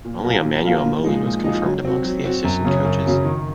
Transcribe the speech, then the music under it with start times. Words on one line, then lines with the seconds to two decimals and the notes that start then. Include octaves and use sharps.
Only Emanuele Molin was confirmed amongst the assistant coaches.
0.05 A#2
0.24 F#3 A#3 F4 A#4
0.44 A#2
0.65 F#3 A#3 F4 A#4
0.84 A#2
1.04 F3 G#3 D#4
1.25 A#2
1.44 F3 G#3 D#4
1.64 F#3
1.85 C4 F#4
2.04 F#3
2.24 C4 F#4
2.44 F#2
2.64 C#3 F#3 C#4
2.84 F#2
3.05 C#3 F#3 C#4
3.25 D#3